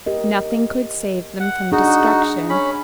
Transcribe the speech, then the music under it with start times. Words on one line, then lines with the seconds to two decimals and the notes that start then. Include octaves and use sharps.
Nothing could save them from destruction.
0.06 G4 A#4 D#5
1.40 F#5
1.72 D4 D#4 F#4 G#4
2.49 C#4 B5